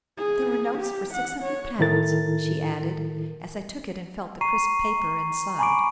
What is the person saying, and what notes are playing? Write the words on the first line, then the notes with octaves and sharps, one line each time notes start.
"There are notes for six hundred pounds," she added, as I took it and felt the crisp paper inside.
G#4
G4
F#5
C#5
A2 D#3 E4 A4 A#4 A6
A#5 C#6 C7 D#7
G#5 A#5 B5 C#6 D6 D7